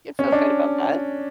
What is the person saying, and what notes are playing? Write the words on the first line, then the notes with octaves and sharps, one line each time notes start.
You feel good about that?
C#4
D4